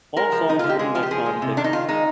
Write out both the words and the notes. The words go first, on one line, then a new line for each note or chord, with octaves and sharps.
All songs written by Sean Dickson.
G#3 A#4
F3
G#3 D#4
D3 F4
G4
G#3 G#4
F3 F4
G4
F3 G#4
G#3
C3
D#3 D4
D#4
D#3 F4
G#3 D#4